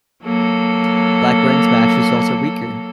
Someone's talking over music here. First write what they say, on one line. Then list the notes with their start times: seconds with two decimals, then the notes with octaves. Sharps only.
Blackburne's match results are weaker.
0.23 F#3 A#3 A4